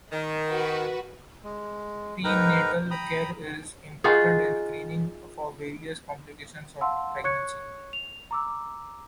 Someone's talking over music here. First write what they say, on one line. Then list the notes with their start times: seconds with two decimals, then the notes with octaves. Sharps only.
Prenatal care is important in screening for various complications of pregnancy.
0.12 D#3
0.49 F#4 B4
1.44 G#3
2.24 G#2 D#4 A#4 B4 G5 A#5
2.91 G5 A#5 B5 D#6
4.04 D#4 F4 F#4 G#4
6.81 F5 F#5 A5 C6 E6
7.24 C#5 C#6 F#6 G#6 C#7
7.93 F7
8.31 A#5 D6 E6